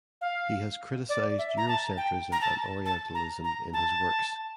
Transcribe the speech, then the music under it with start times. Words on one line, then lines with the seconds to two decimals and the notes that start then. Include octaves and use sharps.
He has criticized Eurocentrism and Orientalism in his works.
0.21 F5
1.09 D5
1.39 E5
1.57 A#5
1.68 A5
1.97 G5
2.32 A#5
2.41 A5
2.85 A5
3.15 A#5
3.44 A#5
3.73 A5